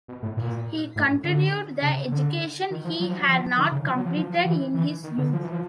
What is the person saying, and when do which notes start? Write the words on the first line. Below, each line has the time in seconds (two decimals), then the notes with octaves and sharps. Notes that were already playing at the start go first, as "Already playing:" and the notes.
He continued the education he had not completed in his youth.
0.08 B2
0.22 A2
0.37 A#2
0.96 A2
1.24 D3
1.82 C#3
2.11 D3
2.71 D#3
2.84 F3
3.00 F#3
3.09 F3
3.19 F#3
3.29 F3
3.57 D#3
3.72 C#3
3.86 F3
3.97 F#3
4.06 F3
4.16 F3
4.30 F3
4.45 E3
4.74 E3
5.03 D#3
5.18 D3
5.33 F3
5.43 E3
5.52 F3